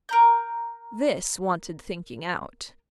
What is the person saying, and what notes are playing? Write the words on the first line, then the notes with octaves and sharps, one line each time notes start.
This wanted thinking out.
A#4 A#5 G6